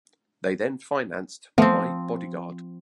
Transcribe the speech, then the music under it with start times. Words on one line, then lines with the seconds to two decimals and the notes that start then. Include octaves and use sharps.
They then financed "My Bodyguard".
1.58 F3 A3 B3 C4